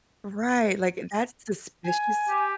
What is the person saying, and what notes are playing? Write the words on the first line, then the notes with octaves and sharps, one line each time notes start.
Right, like, that's suspicious?
G#5
G4